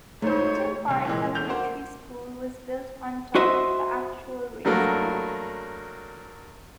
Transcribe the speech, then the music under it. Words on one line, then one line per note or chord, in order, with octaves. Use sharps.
Hampton Park Elementary School was built on top of the actual raceway.
G#2 A3 C5 C#5
F1 C2
A#2 E3 G#3
E1 E2 A3 G6 F7
A#3 F#4 C5
F#4 C5 D#5 E5
G2 F#3 A3 A#3